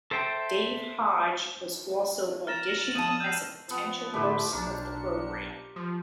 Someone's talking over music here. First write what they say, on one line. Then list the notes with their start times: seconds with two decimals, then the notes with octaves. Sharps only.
Dave Hodge was also auditioned as a potential host of the program.
0.11 A4 C5 E5 G5
2.47 A#5 F6 A6 E7
2.81 F#7
2.95 F2 A5 D#6 D#7 F#7
3.20 E6 G6 C7
3.68 F3 B3
4.14 A2 D3 A3 G4 B4 C5
4.52 B1 D4 A#4 C#7
5.76 F3